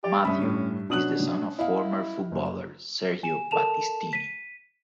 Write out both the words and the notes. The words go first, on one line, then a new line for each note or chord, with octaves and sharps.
Matteo is the son of former footballer Sergio Battistini.
G4 D5
G2 C#4 E5 B5 D#6
A2
B2 C#4 D4 D#6 F#6 F#7
E4 D#5 F5
F#1
G#5 E7
A4 A#4 A5 E7 F7
B6 D#7